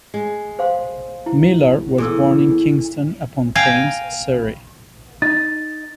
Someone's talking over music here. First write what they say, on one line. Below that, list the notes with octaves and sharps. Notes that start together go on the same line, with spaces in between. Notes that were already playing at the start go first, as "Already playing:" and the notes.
Millar was born in Kingston upon Thames, Surrey.
G#3
C5 F5 C6
E4
E2 G#4 A4 E6
F5 G5 G#5 A#5
D#4 A6